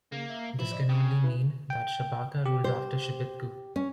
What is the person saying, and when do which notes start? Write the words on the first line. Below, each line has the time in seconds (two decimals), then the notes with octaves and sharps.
This can only mean that Shabaka ruled after Shebitku.
0.12 C#3 A#3
0.30 E5
0.59 A2 E3 F3 E4
0.71 C5 D5 D#5
0.89 C#3 G5
1.23 E4 B4
1.70 G5
2.46 G4
2.64 C5
3.76 C#4